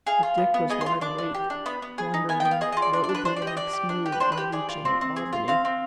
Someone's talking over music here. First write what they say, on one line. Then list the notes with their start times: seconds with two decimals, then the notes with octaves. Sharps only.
But Dick was wide awake, wondering what would be the next move on reaching Albany.
0.07 G#4 F5
0.23 F4
0.38 B3
0.54 B3
0.70 G#4 D#5
0.81 C6
0.86 F4
1.01 D4 D6
1.18 D4
1.34 G4
1.50 D4
1.66 B3 B5
1.82 B3
1.98 G#4
2.14 D#4
2.29 B3 G#5
2.40 B3 G5
2.51 F5
2.61 G#4 D#5
2.72 D#5
2.77 F4
2.82 D5
2.93 D4 D5
3.04 D5
3.09 D4
3.15 B4
3.25 D4 C5
3.36 D5
3.42 G4
3.47 D#5
3.57 D4 D5
3.73 G4
3.89 D4
4.06 G4
4.12 B4
4.20 D4 C5
4.32 B4
4.37 G4
4.52 G#4 D5
4.69 F4
4.85 C4
5.01 C4
5.16 G#4
5.33 F4
5.48 C4 F5
5.65 C4